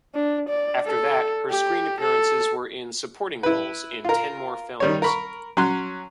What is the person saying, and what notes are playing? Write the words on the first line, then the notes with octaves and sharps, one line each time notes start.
After that her screen appearances were in supporting roles in ten more films.
D4
D5
A4
G4
A4
E4 B4
F4 A#4
D#3 G3 C#5
A#4 B5 C#6
F#3 C#4 C6 F#6